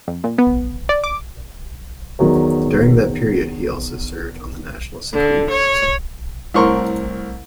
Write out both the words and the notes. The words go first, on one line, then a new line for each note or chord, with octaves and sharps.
During that period, he also served on the National Security Council.
F2
A#2
B3
D5
D6
E2 D#3 F#3
D3
C#5
C2 A2 C4 A#4 C6 C#6